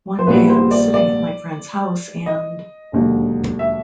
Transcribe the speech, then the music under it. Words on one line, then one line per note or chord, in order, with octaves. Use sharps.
One day I was sitting at my friend's house and...
C5
A#1 A#2 G3 B3 B4
C5
D5
D5
D#5
E1 D#2 D3 F#3
E5